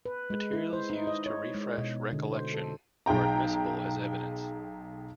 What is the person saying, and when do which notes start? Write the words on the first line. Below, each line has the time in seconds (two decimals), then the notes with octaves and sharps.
Materials used to refresh recollection are admissible as evidence.
0.06 B4
0.30 G#3
0.53 E4
0.73 C5
0.90 D#4
1.07 D#5
1.26 C#5
1.55 G#3
1.78 B2
2.13 D3
2.32 C5
2.54 A4
3.06 B1 G#4 G5 A#5